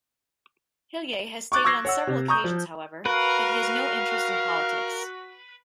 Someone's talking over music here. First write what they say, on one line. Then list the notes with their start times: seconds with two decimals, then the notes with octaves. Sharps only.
Hillier has stated on several occasions however that he has no interest in politics.
1.52 C#6 D6 F#6 A6
1.64 C#6 D6 E6 G#6 A#6 C7
1.85 C#5 F#5 E6
2.07 C3
2.28 A#5 C#6 D#6 G6
2.44 F3
3.06 F#4 A#4 B4 F5